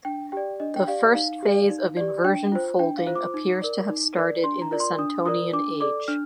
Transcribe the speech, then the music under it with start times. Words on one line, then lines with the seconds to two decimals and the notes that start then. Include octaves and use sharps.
The first phase of inversion folding appears to have started in the Santonian age.
0.05 D4 G5
0.32 G4 D5 G5
0.60 D4 D#5
0.76 G5
0.87 G4 D5 F5
1.15 D#4 F5
1.42 G4 D5
1.70 D#4
1.97 G4 D5
2.24 D4 G5
2.52 F4 C5
2.79 D4 G5
2.97 F5
3.07 F4 C5
3.16 D6
3.34 D#4
3.62 A#4 D5
3.89 D#4
4.16 A#4 D5
4.44 D4 C6
4.62 A#5
4.71 F4 A#4 D5
4.80 C6
4.99 D4 D#6
5.26 F4 A#4 D5 D#6
5.53 D4 D6
5.80 A4 D5 D6
6.08 D4 F6